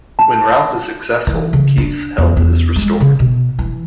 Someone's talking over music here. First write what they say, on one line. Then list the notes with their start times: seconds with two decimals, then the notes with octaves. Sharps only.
When Ralph is successful, Keith's health is restored.
0.19 A5
1.27 E3
1.53 C#3
1.78 D4
2.18 E2
2.37 E2
2.76 G#3
3.00 C#3
3.20 B2
3.59 E3